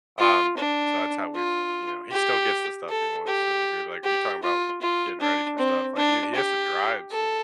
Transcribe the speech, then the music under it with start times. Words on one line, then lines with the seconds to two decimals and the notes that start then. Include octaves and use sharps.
Um, so that's how we've, you know, he still gets the stuff he wants to a degree, but, like, you're talking about getting ready for stuff, like, he he has to drive soon.
0.19 F4
0.57 D4
1.35 F4
2.12 G4
2.89 A4
3.27 G4
4.04 G4
4.43 F4
4.82 F4
5.20 D4
5.58 C4
5.96 D4
6.35 G4
7.12 A4